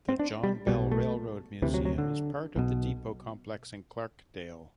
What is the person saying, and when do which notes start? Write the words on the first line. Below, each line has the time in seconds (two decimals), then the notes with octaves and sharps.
The John Bell Railroad Museum is part of the depot complex in Clarkdale.
0.09 C4
0.19 D4
0.43 G3
0.67 B1 B2 G3
0.92 A3
1.62 D2 C3 E3
1.74 F#3
1.85 F#3
1.98 D3
2.56 B1 B2